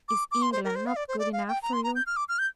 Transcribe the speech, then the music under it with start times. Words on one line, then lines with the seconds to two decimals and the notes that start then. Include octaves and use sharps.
"Is England not good enough for you?"
0.09 D6
0.31 D6
0.42 C6
0.52 C5
0.64 A#4
0.75 C5
0.86 F5
0.96 D5
1.08 C5
1.19 D5
1.33 F5
1.48 G5
1.62 A#5
1.73 C6
1.84 A#5
1.95 G6
2.06 F6
2.16 D6
2.29 F6
2.39 G6